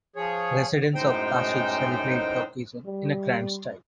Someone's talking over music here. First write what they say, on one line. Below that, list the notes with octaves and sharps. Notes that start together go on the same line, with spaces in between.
Residents of Kashi celebrate the occasion in a grand style.
F3 G#4 C#5
F#2 A2 G#3 D#4 C5 G5
G3